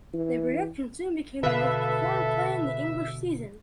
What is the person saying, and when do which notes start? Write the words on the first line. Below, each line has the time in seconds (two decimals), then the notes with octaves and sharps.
The production soon became the most performed play in the English season.
0.14 E3
1.43 B2 D3 A4 B4 E5 F5